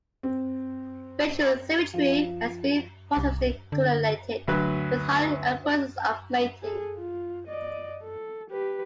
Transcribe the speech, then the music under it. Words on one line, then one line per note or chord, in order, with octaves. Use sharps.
Facial symmetry has been positively correlated with higher occurrences of mating.
C4
F3
C2
D3
D2 F#3 B4
G#4 A4
F4
D5 D#5
A4
G4 B4